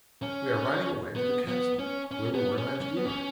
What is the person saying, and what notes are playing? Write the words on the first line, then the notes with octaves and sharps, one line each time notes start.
"We are riding away to the castle where we were last year!"
C#4
B3
B3
C#4
C#4
B3
C#4
C#4
B3
C#4